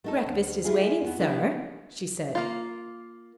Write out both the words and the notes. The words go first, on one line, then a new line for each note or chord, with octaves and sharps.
"Breakfast is waiting, sir," she said.
A3 D#4 A4
D2
G#3 E4 F4 G#4
E2 B3
F3 B3 D4 E4 F#4 G4
A#3 F4